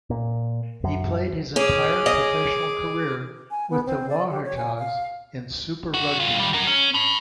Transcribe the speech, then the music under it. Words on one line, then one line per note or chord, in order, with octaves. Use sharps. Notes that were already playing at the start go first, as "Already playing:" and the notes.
He played his entire professional career with the Waratahs in Super Rugby.
A#2
F#2
C#4 G#4 D6
D#5
G#5
B3
C4
D5
G4
C#5
G#5
F5
F2 F#4
G2 F4
D#3 G3
F#4 A#4
C#4
A5 B5